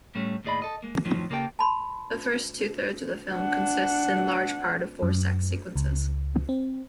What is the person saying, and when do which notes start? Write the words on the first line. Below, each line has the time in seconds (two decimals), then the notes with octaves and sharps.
The first two-thirds of the film consists in large part of four sex sequences.
0.15 A2 G3 A3 C#4
0.45 D#2 A2 G#4 D5 D#5 B5
0.62 A4 D#5
0.82 G#3 A#3
1.05 F2 A2 D#3 F3 F#3
1.30 C#3 A#3 G4 A4 C#5 G5
1.59 A5 B5 C6
3.32 D4 F#5
5.02 F#2
5.76 C#2
6.49 C4